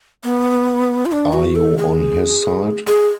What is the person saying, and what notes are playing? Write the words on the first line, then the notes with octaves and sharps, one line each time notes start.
Are you on his side?
B3
F4
D4
F#4
A4
G#4
G#4